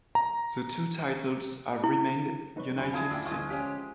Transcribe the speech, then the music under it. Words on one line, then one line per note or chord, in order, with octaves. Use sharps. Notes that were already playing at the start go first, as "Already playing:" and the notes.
The two titles have remained united since.
A#5
E4
D#4 B4 C#5
F2 D3 F#3 G#5 B5
E4 F4 G#4 D5 F5 A5
D2 A2 D3 F4 G5 E6
F3 G#3 F4 D#5 C#6
C#4 G4 F5